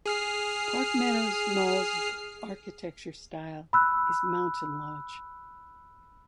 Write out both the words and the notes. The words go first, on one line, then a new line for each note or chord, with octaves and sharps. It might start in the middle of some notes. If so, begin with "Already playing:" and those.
Park Meadows Mall's architecture style is mountain lodge.
G#4 F6 C7
B5 E6 F#6